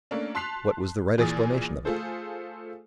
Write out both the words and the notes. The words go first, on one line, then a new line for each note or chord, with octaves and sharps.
What was the right explanation of it?
A3 A#3 C#4 D4
A5 C6 F#6 B6 C7 F7
A#2 E3 G#4 G#5 D#6 A6
A3 F4 G#4 A4 C5